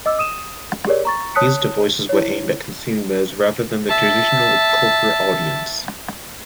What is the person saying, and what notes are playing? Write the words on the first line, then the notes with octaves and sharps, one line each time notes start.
These devices were aimed at consumers, rather than the traditional corporate audience.
D#5 D6 E6
D#6 D#7 E7
G4 G#4 A#4 C#5 D5
A#5 C#6 A6
C#5 A5 D#6 F#6 B6 C#7
E4 C#5
E5 A5